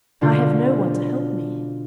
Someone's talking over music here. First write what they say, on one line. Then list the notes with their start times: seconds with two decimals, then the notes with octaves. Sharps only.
"I have no one to help me."
0.21 B2 D3 D4 F4